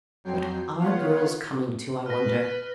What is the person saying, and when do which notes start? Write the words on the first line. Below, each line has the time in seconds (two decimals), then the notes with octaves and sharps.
'What are girls coming to, I wonder?
0.24 F2 F#3 G5 C7
0.79 B3 F4 C#5 F5 F#5
2.06 B4 F6 A#6